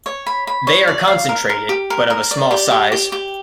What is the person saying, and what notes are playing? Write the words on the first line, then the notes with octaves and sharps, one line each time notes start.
They are concentrated, but of a small size.
C#5
B5
B5
C#5
D5
F5
A#4
A#4
G4
A#4
A#4
D5
G4
G4
G4
G4